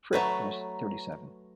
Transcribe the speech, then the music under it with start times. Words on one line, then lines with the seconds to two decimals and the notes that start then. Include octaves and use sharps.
Fripp was thirty-seven.
0.13 F#3 A3 B4 C#5 A#5